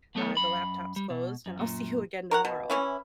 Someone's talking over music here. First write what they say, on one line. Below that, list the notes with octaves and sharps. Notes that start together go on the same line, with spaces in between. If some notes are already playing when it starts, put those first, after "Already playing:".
uh, the laptop's closed, and I'll see you again tomorrow?"
F#3 A3 B3 A4 C#5
F#2 B5
G3
B2
F#2
F#2 A#2
A#4 C#5 F#5
B2
E3 C#4 E4